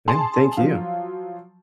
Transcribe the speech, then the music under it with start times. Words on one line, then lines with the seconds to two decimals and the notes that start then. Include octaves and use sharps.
Yeah, thank you.
0.08 G#4 A5 C6
0.57 F3 F#3 F4